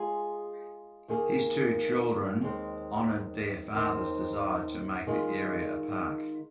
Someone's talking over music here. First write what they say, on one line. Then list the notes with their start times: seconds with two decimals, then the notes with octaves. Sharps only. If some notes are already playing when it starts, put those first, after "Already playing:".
His two children honored their father's desire to make the area a park.
Already playing: G#3 F4 G#4
1.08 D#2 D#3 A#3 G#4
2.41 D#2 D#3 G#3 C4
3.74 D#2 D#3 C4 D#4 C5
5.07 D#3 G#3 F4